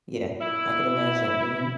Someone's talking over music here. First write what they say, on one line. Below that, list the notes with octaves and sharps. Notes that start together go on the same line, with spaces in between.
Yeah, I could imagine. Mhm.
E4